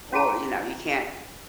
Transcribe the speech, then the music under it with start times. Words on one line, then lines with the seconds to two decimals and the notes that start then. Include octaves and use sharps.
or, you know, you can't
0.13 C#4 F#4 G#4 A5 A#5